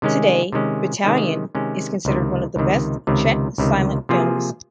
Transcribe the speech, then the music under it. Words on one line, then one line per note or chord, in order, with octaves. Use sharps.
Today "Battalion" is considered one of the best Czech silent films.
C3 D#3 G#3 C#4
C3 D#3 G#3 C#4
C3 D#3 G#3 C#4
C3 D#3 G#3 C#4
C#2 C3 D#3
C#2 C3 D#3
C#2 C3 D#3
C#2 C3 D#3
C3 F3 A#3 F4 G#4